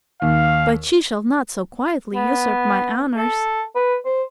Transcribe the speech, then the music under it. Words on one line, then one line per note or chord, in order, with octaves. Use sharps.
But she shall not so quietly usurp my honors.
D#2 F5
B3
A4
B4
C5